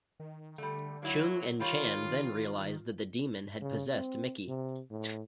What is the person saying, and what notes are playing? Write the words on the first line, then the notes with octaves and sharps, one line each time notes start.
Cheung and Chan then realize that the demon had possessed Micky.
D#3
D3 G3 A3
F#3 A#3 E4 F#4
D#3 G3 A#3 F4 C#5
C#3
C4
C3
A2